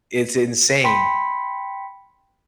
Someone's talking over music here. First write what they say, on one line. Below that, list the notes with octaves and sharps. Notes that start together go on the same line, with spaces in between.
It's insane
G5 B5 C6 B6 C#7